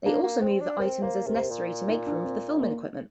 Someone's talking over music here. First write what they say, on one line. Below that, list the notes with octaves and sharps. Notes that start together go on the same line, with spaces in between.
They also move items as necessary to make room for the filming equipment.
A#3 D4
A#3
C4 C5
D4
C4 A#4
A#3 C5
C3 A#4
C5
A#4
A#2
D#4
D4
C4
A#3